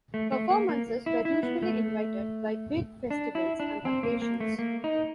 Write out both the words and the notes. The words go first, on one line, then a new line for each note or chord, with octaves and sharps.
Performances were usually invited by big festivals and occasions.
A3
A3
A#3
A#3
E4
E4
B3
A3
D4
E4
D4
C4
A#3
A#3
A3
A#3
D#4